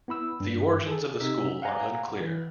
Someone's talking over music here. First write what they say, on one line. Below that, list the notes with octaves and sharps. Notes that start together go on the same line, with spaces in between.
The origins of the school are unclear.
B3 E4 B5 E6
G2
G#4 A4
C3 D#4 E6 B6
F5 F#5 G#5 A#5
E3